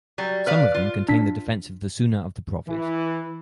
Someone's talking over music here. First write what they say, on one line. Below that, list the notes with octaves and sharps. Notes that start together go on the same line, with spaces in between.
Some of them contain the defense of the Sunnah of the Prophet.
F#3 G3
B4 D5 F5
F4
D4 B6
E3